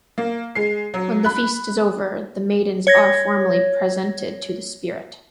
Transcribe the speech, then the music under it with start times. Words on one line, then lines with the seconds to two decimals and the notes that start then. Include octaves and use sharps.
When the feast is over, the maidens are formally presented to the spirit.
0.18 A#3
0.55 G#3 C7
0.94 F#3
1.25 B5 F#6
2.87 C#5 G#6 A#6